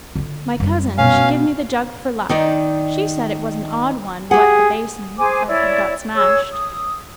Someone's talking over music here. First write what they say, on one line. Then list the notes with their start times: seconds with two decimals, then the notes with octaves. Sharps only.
'My cousin, she give me the jug for luck; she said it was an odd one what the basin of had got smashed.'
0.15 D3 F4
0.60 F#2 G3
0.98 B2 C#4 F5
2.29 D#3 D#4 D5
4.31 G4 G#4 F#5
5.19 G#4 C5 G#5 D6
5.48 E4 C#5 D5
6.15 G#4 C#5 E6
6.52 D#6